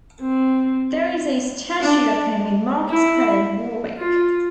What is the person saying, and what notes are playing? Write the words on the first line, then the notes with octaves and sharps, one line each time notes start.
There is a statue of him in Market Square, Warwick.
C4
D4
E4
F4